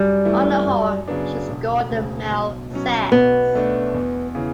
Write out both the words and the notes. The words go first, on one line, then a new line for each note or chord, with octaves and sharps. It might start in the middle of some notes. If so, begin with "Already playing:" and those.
On the whole, she scorned the male sex.
Already playing: F#2 G3
E3 A3 E4
F#2
C#3 F#3 B3 D4
E1
D2 C#3
B1
B2 F#3 C#4
B1 B3
B2 A3 D4
E2
C#3 E3